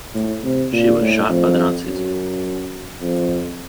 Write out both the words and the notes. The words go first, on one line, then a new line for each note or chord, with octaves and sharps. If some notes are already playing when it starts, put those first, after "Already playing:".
She was shot by the Nazis.
A2
C3
A#2
A2
F2
F#2
F2